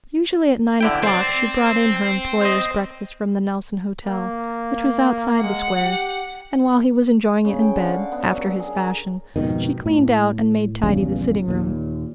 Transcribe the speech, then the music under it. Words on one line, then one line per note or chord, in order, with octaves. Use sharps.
Usually at nine o'clock she brought in her employer's breakfast from the Nelson Hotel, which was outside the Square, and while he was enjoying it in bed, after his fashion, she cleaned out and made tidy the sitting-room.
D3 E4 G5
C4 C5 D5
C5 D#5
A#3
G#3 F#5
G4
C#3
G5
D3
F5
B3
F#3
A#4
G#4
A#4
F2 G#2 B2 D#3
A2
A#1 E2 G2 C#3
D#2 A#2